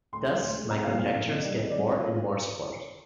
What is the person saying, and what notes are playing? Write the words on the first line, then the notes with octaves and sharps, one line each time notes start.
Thus my conjectures get more and more support.
D2 C6
D3 G#3
D2
D3 G#3
C2 A#5
A#2 F3 A#3 D4 F5
C2 F5
A#2 F3 A#3 D4
C2 D#5
C3 D#3 G3 D5
C2 D#5
C3 D#3 G3 D5
C2 D5
G#3 C4 F4